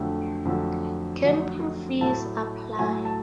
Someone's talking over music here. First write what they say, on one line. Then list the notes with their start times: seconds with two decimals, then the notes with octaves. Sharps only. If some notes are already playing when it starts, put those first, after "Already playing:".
Camping fees apply.
Already playing: F2 D3 F#3 A3
0.45 F2 D3 F#3 A3
1.24 F2 D3 F#3 A3
2.01 A2 F#3 A3 A5
2.79 A2 F#3 A3 G#5
3.05 A5